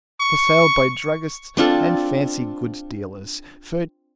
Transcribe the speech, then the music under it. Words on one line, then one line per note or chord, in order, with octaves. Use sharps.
For sale by Druggists and Fancy Goods Dealers. Ferd.
C#6
C4 D4 F4 A4